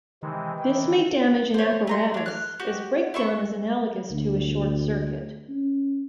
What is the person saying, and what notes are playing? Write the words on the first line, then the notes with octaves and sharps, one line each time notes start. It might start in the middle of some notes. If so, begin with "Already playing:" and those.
This may damage an apparatus, as breakdown is analogous to a short circuit.
C3 D#3 E3 G#3
E3 G5
C5 C#5
A3 A#5 C6
D4 C#5
F6 F#6
F#4 G4
E4 E5 C#6
D2
C#4